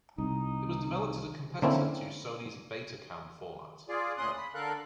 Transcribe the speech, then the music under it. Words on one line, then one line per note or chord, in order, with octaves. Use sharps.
It was developed as a competitor to Sony's Betacam format.
C2 D#4
D3 A#3 C4 C#4 E4
F4 G#4 D5
D2 A#2 C#4 C6 D#6 F#6
B5
D3 A4 A#4 F5 F#6